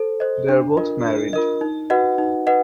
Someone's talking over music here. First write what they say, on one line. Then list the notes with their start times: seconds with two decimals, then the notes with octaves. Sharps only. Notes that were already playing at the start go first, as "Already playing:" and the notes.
They are both married.
Already playing: A4 C5
0.20 C5 D#5
0.49 D4
0.77 F4 A#4 D#5
1.05 D4
1.33 F4 A#4 D#5
1.61 D#4
1.90 F#4 B4 D#5 F#5
2.18 D#4
2.47 B4 D#5 F#5